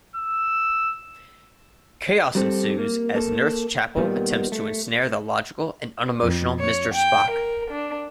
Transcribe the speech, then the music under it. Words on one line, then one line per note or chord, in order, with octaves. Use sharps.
Chaos ensues as Nurse Chapel attempts to ensnare the logical and unemotional Mr. Spock.
E6
G3 C4 A4
A#3
A#3 A4
A#2 D#3 G3 A#3 B3
A3
F2
C#5
G5
A#4
D4